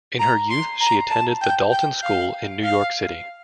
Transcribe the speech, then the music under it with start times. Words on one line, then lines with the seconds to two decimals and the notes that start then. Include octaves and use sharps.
In her youth she attended the Dalton School in New York City.
0.19 A#5
0.50 C6
0.81 A#5
1.10 A5
1.41 G5
1.72 G5
2.03 F5
2.64 F5